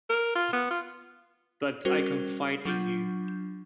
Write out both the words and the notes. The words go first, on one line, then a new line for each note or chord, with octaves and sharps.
But I confide in you.
A#4
F4
B3
F4
G3 C#4 F#4 A#4 C5
F#3 D4 F4 G6